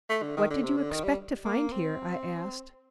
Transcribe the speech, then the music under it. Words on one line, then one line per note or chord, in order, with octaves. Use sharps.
"What did you expect to find here?" I asked.
A3
D3
D#3
D3
C3
D3
D#3
G3
A#3
C4